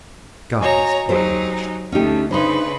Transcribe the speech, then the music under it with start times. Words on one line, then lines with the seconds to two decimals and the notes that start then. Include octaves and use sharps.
God, these bloody English!
0.61 F#4 C#5 D#5 G#5 A#5
1.09 F#3 D#4 G4 A4 C5
1.92 D2 C#4 D#4 G4
2.31 C#3 D4 D#4 B4 C5 B5 C6